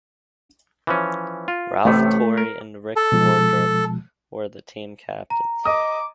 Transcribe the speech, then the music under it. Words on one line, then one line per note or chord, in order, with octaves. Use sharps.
Ralph Turri and Rick Wardrop were the team captains.
E3 F3 C#4
F4
A1 A2 C3 A3
A#4
A4
B2 F3 G#3
A#5
D#5 D6 D#6